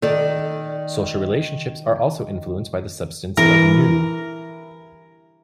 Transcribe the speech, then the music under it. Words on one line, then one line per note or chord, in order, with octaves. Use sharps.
Social relationships are also influenced by the substance of Nu.
D#3 A4 D5
E3 A#4